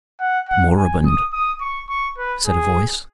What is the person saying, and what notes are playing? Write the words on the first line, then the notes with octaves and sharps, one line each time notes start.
"Moribund," said a voice.
F#5
F#5
G#5
D#6
D#6
C#6
C#6
B4
G#4